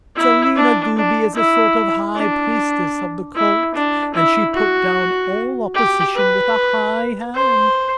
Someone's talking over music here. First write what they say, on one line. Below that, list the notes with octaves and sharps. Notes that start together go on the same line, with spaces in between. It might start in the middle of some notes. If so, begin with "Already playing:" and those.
Selina Goobie is a sort of High Priestess of the Cult, and she put down all opposition with a high hand.
E4
D4
D4
E4
D4
E4
D4
E4
F#4
G4
B4
C5